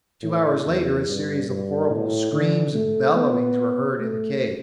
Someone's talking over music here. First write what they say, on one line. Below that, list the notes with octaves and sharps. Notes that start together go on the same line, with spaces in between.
Two hours later a series of horrible screams and bellowings were heard in the cave.
A2
E2
G2
G2
A2
D3
A3
B3
A3